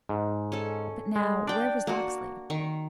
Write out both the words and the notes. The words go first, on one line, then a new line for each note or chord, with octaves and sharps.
"But now, where was Locksley?"
G#2
C#4 A4
G#3
D4 D5 G5
A#3 F#4
D#3 C#6